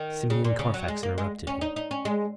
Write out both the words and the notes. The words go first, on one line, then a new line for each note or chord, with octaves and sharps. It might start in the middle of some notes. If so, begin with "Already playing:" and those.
Simeon Carfax interrupted him.
Already playing: D#3
C#3
A#2
C#3
F#3
G#3
A#3
G#3
C#4
D#4
D#4
C#4
G#3